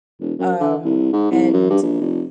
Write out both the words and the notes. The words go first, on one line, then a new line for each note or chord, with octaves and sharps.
um, and
E1
F#2
D3
C2
G#2
C2
F#2
G2
A#1
F1